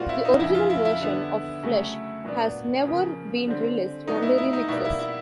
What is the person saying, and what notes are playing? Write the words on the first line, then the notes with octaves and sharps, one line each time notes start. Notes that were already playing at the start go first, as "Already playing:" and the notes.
The original version of "Flesh" has never been released, only remixes.
Already playing: A#2 G3 C4 F4 F#4
E4
D#4
F2 C#3 E3 E4
F4
E4
E4
D3 G3 B3 D4
C#3 F#3 A3
A#2 F#3 B3 D4
C#3 F3 A#3
D3 G3 C4
A2 F#3 B3 D4 D#4
E4
E4
D#4
B2 G3 A#3 E4
E4
E4